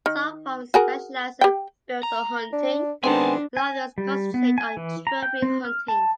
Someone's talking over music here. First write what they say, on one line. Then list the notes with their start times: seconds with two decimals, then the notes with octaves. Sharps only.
Some farms specialize in biltong hunting and others concentrate on trophy hunting.
0.06 D#3
0.74 F#4 G#4 A#4
1.41 G4 G5
2.03 A#5
2.53 D4
3.04 D#3 G#3 B3 C4 D4 G#5 A5
3.57 G#5
3.98 G3
4.34 B3
4.58 G#5
4.77 E3
5.07 A#5
5.23 G5
5.42 C4
5.65 F6
5.88 A5